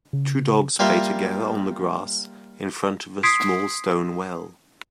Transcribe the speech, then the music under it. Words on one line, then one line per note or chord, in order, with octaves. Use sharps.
Two dogs play together on the grass in front of a small stone well.
C#3
G3 A#3 F4 E5
C6 D#6 G#6 B6 C7 D7